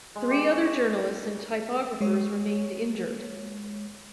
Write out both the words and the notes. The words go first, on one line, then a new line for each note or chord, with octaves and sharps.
Three other journalists and typographers remained injured.
G#3
G4
C#4
D#5
G#3 C#5